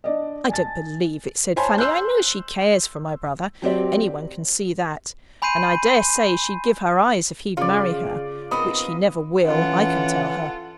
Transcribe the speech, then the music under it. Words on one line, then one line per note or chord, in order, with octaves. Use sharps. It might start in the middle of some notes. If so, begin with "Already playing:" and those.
'I don't believe it,' said Fanny. 'I know she cares for my brother; any one can see that; and I dare say, she'd give her eyes if he'd marry her,--which he never will, I can tell her.
D4 D5 D#5
G#5 A5 A6
C5 C#5 G#5 A5 B5 C6
C6 E6 F#6 G6
F#3 C4 G4 D5
G#5 B5 C6 G6 C7 D#7
C#3 F4 D5
B3 C4 D#4 D#5 B5
E3 C#4 F4 A4 F#5